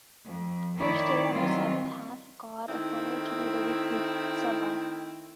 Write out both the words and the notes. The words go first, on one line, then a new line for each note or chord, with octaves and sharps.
Which day of the seven hath God appointed to be the weekly sabbath?
F2
D#3 A3 D#4 E4 C#5 D5
D#3 E3 F#3 G3 C4 F4
D#3 A3 C4 E4